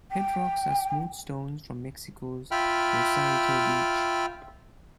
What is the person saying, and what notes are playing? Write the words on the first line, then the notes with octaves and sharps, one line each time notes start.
Pet Rocks are smooth stones from Mexico's Rosarito Beach.
G5
F4 E5 G5 B5 F6